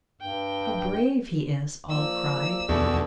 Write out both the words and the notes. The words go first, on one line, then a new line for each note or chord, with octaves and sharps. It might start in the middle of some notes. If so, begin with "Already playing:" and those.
'How brave he is!' all cried.
G2 G5
F3 A#3 D5 E6
E2 B2 A3 D4